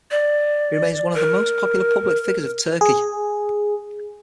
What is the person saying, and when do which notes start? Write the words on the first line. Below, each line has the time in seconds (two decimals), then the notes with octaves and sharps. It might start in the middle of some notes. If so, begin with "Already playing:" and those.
He remains one of the most popular public figures of Turkey.
0.11 D5
1.14 A#4
2.81 G#4